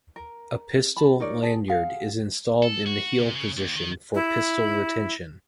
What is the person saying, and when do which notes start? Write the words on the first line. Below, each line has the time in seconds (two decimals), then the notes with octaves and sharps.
A pistol lanyard is installed in the heel position for pistol retention.
0.16 A#4
0.97 A5 B5
1.20 D#4 A#4 C#5 D5
1.43 G#4 D5 A5
1.68 G#4 F5 F#5
2.63 A4
2.87 F#4
3.18 C3
3.35 C#3
3.57 D#2
3.76 D#3
4.14 E4